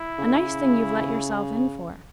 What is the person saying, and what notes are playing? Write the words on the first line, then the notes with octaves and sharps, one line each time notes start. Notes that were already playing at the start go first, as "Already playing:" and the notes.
A nice thing you've let yourselves in for!'
Already playing: E4
C#3
D3
C#3